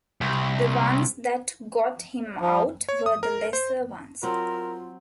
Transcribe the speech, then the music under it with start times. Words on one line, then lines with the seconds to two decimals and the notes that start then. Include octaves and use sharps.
The ones that got him out were the lesser ones.
0.21 C2
2.40 F3
2.89 C#5
3.06 D#6
3.23 A#4
3.53 C5
4.23 F#3 C4 F4 A#4